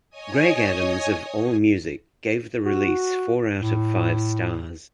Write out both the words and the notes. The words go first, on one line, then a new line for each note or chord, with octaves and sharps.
Greg Adams of Allmusic gave the release four out of five stars.
C#5 D#5 G#5 D#6
F#4
A2